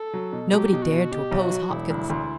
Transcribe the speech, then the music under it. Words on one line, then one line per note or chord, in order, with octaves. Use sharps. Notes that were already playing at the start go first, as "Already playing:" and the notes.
Nobody dared to oppose Hopkins.
Already playing: A4
F#3
B2
F#3 G4
B2
F#4
B2
B2 G4
B1
F#4
F#3
E1 E4
D2
D2